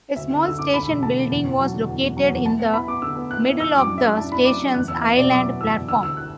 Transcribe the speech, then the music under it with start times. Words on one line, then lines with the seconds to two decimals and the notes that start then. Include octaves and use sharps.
A small station building was located in the middle of the station's island platform.
0.16 D2 E5
0.30 D3
0.44 D3 E6
0.59 D3 D6
0.74 D3 B5
0.87 E1
1.02 D3 A5
1.17 E1
1.30 E2
1.44 E2
1.59 F#3
1.74 D3
1.88 E2
2.02 E2
2.17 F#3
2.31 E2
2.45 E4 A5
2.60 B3
2.73 E4 B5
2.88 B3 D6
3.02 D3 E6
3.17 B3
3.31 E4 F#6
3.46 E4
3.59 E3 E6
3.75 F#2 D6
3.88 D4
3.98 E5
4.02 F#2
4.17 D4 A5
4.32 D4 B5
4.45 F#2 D6
4.60 F#2
4.74 E2 F#6
4.88 E2 E6
5.02 B3 E5
5.17 B2 D5
5.31 F#3 D6
5.45 B3
5.61 E2 E6
5.74 E2
5.89 D3 E6
6.03 D2 E6
6.17 F#6